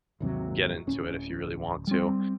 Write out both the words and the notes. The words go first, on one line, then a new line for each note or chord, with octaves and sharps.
get into it if you really want to.
G#1 D#2 C3 F#3
D1 C#4
G3 C4